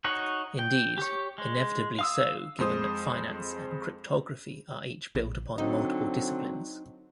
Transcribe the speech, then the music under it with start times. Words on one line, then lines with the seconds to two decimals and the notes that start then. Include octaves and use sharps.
Indeed, inevitably so, given that finance and cryptography are each built upon multiple disciplines.
0.04 D#4 F#4 C#5 F#5
0.59 G5
0.98 G4 C#5
1.38 G#3
1.99 F5 D#6 E6
2.59 F2 G#3 C5 D#6
5.15 A#1
5.58 D3 F#3 C4 D#4